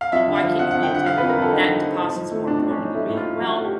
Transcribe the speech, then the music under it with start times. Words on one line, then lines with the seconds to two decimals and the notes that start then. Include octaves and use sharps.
"Well, why can't you be at dinner? That deposit's more important than me?" "Well,
0.01 F5
0.12 F2 E5
0.28 D3
0.36 F5
0.44 F3
0.59 F2 F#5
0.71 F2 F#5
0.83 G5
0.91 D3 F#5
1.06 F3 F5
1.18 F2 B4
1.29 A#4
1.37 F2 A4
1.53 D3 D#4
1.69 F3
1.84 F2
2.00 A2
2.16 F3
2.32 A3
2.47 A2 D4
2.59 A2 D4
2.71 C#4
2.78 F3 D#4
2.94 A3 E4
3.09 A2
3.17 F4
3.26 A2
3.41 F3 F#4
3.57 A3
3.64 G4